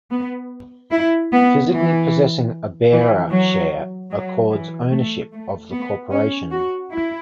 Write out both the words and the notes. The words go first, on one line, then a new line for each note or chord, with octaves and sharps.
Physically possessing a bearer share accords ownership of the corporation.
B3
E4
B3
E3
E3
F#3
F#3
E3
A3
A3
B3
C#4
F#4
E4